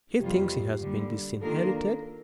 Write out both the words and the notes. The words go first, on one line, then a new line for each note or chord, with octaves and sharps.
"He thinks he has been disinherited?"
F2 C3 G3 A#3 F4 G4
D3 G3 A#3
D#3 A#3 D4 F4 A4 A#4
A#4